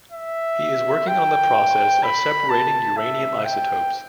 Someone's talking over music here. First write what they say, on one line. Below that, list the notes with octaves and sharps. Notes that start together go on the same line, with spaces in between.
He is working on the process of separating uranium isotopes.
E5
G5
B5
A5
E5
G5